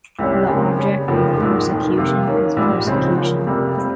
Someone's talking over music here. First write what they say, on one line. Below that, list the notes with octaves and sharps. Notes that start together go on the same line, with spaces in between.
The object of persecution is persecution.
C2 C3 G3 C#4
D#2 C#3 G#3 C4
C#3 G3 C#4
F1 D#2 C#3 F3
A#1 G#2 D#3 G#3
F1 D#2 D#3
C3 F3 A#3 F4
D#2 D#3 A#3 C#4
A#1 G#2 G3
C#2 C#3 F3 C4 D#4
C#3 F3 A#3
F2 C3 G3 A#3
G3 C4